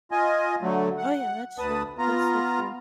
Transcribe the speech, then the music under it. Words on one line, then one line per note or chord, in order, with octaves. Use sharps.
Oh, yeah, that's true. That's so true.
F4 D#5 G#5
D3 F#3 A3
F#5
D2 B4 A5 D#6
B3 F4 A#5